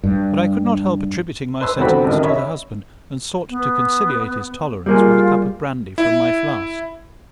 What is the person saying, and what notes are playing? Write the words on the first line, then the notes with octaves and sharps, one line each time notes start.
But I could not help attributing my sentiments to the husband, and sought to conciliate his tolerance with a cup of brandy from my flask.
G2
B4 C6 E6
E2 D3 C4 F#4 B5
A1 D2 D#3
C#5 D#5 E5 B5
B3
G3 A#3 F4 G#4
E4